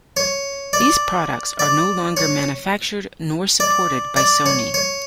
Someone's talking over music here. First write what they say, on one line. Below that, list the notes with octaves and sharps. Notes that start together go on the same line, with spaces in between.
These products are no longer manufactured nor supported by Sony.
C#5
D5
D5
C#5
D5
D5
C#5
C#5